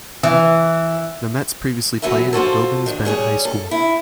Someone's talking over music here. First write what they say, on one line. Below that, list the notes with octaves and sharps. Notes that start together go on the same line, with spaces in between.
The Mets previously played at Dobyns-Bennett High School.
E3
E3 F#3 B3 A4 E5
F3 F4 F#4 A4
D#3 D4
G3 G#4 C#5
A4
E4